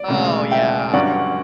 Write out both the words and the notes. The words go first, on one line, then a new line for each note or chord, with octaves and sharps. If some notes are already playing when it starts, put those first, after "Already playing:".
Oh, yeah.
Already playing: D5
E1 D2 C#3
E5 G5
G2 D3 F#3 C#4 D5 F#5